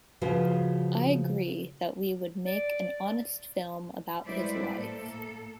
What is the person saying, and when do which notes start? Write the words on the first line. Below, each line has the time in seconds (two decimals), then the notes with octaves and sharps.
I agreed that we would make an honest film about his life.
0.21 C#3 F3 F4 F#4 B4
2.46 D5
4.25 G3 G#3 E4 B4 C5 D5
4.77 A2 A3 A#3 A4